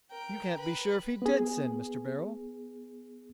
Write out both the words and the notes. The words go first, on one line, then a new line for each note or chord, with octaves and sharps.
"You can't be sure if he did sin, Mr. Beryl."
A#4 G5
B4 B5
B3 G#4